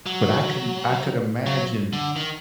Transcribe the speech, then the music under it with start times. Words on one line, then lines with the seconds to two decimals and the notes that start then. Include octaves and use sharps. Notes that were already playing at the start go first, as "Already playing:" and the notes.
but I can I could imagine
0.06 F#3
1.47 F#3
1.93 D3
2.16 D#3